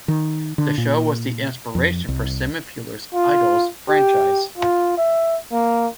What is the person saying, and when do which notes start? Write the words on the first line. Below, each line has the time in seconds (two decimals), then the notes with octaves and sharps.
The show was the inspiration for Simon Fuller's "Idols" franchise.
0.08 D#3
0.58 D3
0.78 A#2
1.75 F2
2.09 C2
3.14 F4
3.89 G4
4.58 F4
4.97 E5
5.52 A#3